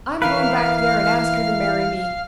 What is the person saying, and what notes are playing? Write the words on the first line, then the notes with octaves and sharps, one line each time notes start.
I'm going back there and ask her to marry me.
E3 A#4 B4 F5